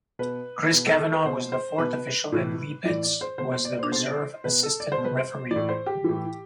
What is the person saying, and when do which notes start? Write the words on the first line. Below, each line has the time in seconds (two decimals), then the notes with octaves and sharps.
Chris Kavanagh was the fourth official and Lee Betts was the reserve assistant referee.
0.19 B2 B4
0.72 B2 B4
0.86 A4
0.99 A4
1.12 B4
1.25 B2 C5
1.52 C5
1.78 B2 B4
2.32 A2 E3
2.85 A2 E3 D5
3.03 D5
3.21 C5
3.38 B2 C5
3.52 C5
3.65 D5
3.79 C5
3.92 B2 C5
4.44 B2 B4
4.63 A4
4.80 D5
4.92 C5
4.98 B2
5.05 B4
5.17 C5
5.51 E3 D5
5.56 A2
5.69 C5
5.86 G4
6.04 A2 E3